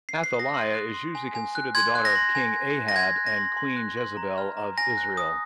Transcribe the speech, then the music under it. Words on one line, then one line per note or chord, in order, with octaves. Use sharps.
Athaliah is usually considered the daughter of King Ahab and Queen Jezebel of Israel.
C7
F#6
C7
D#6
A#6
C6
F#6
C6
G#5
G#5
F#6
C6 G#6
F#6
A#6
C6
G#5
G#5
F#6
A#6
C6 G#6
F#6
A#6
C6
C6
F#6
C6
A#5
F6
A#5
G#5 A#6
F#6
D#6